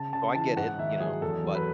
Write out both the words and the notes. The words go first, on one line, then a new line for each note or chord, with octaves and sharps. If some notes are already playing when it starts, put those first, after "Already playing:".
so I get it, you know, but,
Already playing: C#3 A5
C#3 A5
E3 A5
G#2 F#5
D#3 E5
F#3 G#4
E2 A4
F#3
B4